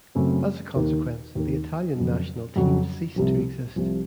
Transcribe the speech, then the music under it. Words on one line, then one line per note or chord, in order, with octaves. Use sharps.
As a consequence the Italian national team ceased to exist.
F#2 C#3 A3 C4
D#2 D#3 A#3
D#2 D#3 A#3
F2 C#3 F#3
F2 C#3 F#3
C2 C3 F3
C2 C3 F3